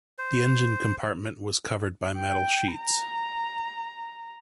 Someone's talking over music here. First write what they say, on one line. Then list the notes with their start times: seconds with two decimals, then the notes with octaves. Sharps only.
The engine compartment was covered by metal sheets.
0.18 C5
2.17 G5
2.75 A#5